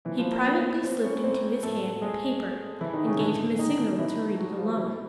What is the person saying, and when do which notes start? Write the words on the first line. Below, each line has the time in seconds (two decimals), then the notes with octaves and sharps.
He privately slipped into his hand a paper, and gave him a signal to read it alone.
0.05 A#2 E3 F3 E4
0.18 F3 F4
0.31 A#3 A#4
0.45 B3 B4
0.84 C4 C5
1.03 C#4 C#5
1.24 C4 C5
1.63 A2 F3 A3 A4
2.02 G#3 G#4
2.81 E3 E4
2.93 D#3 D#4
3.06 C#3 C#4
3.20 A2 D3 E3 D4
3.59 D#3 D#4
3.98 E3 E4
4.37 F#3 F#4
4.57 F3 F4
4.77 B2 E3 E4